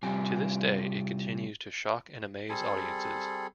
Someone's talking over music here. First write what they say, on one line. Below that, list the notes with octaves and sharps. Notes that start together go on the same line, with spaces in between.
To this day it continues to shock and amaze audiences.
C3 G3 C4 F4 G4 G#5
G3 C4 G#4 A4